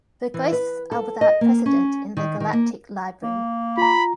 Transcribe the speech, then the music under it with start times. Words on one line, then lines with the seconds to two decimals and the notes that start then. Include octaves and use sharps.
The ghosts are without precedent in the galactic library.
0.34 E3
0.53 B4
0.91 A4
1.21 D#5
1.41 A#3
1.66 C#4
2.17 D#3
2.40 D#3
2.53 A#3
3.23 A#3
3.78 F4 A#5 B5